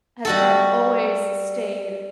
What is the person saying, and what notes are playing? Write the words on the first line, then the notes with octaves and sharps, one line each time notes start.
has kind of always stayed
G3 F#4 A4